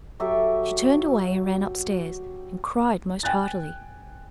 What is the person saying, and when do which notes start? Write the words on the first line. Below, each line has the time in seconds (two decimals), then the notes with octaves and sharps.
She turned away, and ran up-stairs, and cried most heartily.
0.20 F#3 G4 A4 E5
3.23 G5 G#5 F#6 A6